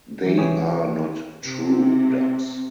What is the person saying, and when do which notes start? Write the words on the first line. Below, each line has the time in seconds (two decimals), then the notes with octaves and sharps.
They are not true ducks.
0.24 E3 F#3
0.38 C2 E3 G4 G#4 C#5
1.43 C3